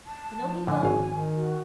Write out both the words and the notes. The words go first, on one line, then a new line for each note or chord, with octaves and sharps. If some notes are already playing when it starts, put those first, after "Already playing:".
I know he will!
A5
F3
A2 D3 G#5
G#1 F5
D#3
F#4